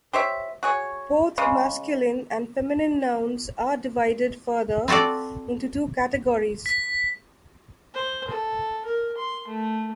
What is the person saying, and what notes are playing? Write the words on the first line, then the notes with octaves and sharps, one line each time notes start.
Both masculine and feminine nouns are divided further into two categories.
G4 C5 C#5 E5
F#4 G#4 C#5
C#3 G#3
C4 F4 F#4 A4 D5
B6
C5
A4
A#4
C6
A3